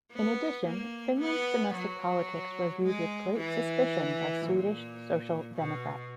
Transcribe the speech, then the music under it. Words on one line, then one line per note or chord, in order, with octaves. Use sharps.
In addition, Finland's domestic politics were viewed with great suspicion by Swedish Social Democrats.
B3
A#3
B3
F#3
G#3
E3
A#2
B2